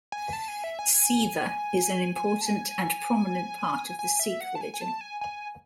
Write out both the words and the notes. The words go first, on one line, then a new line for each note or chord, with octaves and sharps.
Seva is an important and prominent part of the Sikh religion.
G#5
A5
G#5
E5
G#5
G#5
G#5
A5
G#5
G#5
E5
F#5
A5
G#5
G#5
A5
G#5
G#5